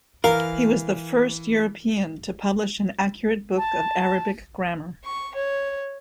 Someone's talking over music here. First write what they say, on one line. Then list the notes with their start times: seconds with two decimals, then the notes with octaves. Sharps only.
He was the first European to publish an accurate book of Arabic grammar.
0.24 E3 A#4 F5
3.57 A5
5.04 C#6
5.35 C#5